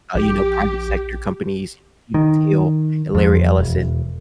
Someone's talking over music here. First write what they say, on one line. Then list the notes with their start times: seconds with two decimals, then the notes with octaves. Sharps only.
uh, you know, private sector companies, you know, Peter Thiel and Larry Ellison,
0.15 A#1 G4
2.14 D#3
3.15 F2
3.58 E1